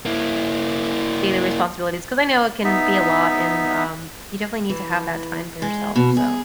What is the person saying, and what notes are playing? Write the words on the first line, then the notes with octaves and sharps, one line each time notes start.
daily responsibilities. 'Cause I know it can be a lot, and, um, you definitely need to have that time for yourself, so
A#3 E4
B3 D#4 E5
E3
G#3
B2
G#4